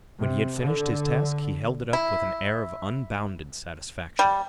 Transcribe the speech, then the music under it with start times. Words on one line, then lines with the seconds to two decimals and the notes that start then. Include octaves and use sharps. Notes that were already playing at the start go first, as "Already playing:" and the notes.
When he had finished his task he held it up with an air of unbounded satisfaction.
0.18 C3
0.62 D3
1.93 E4
4.19 G3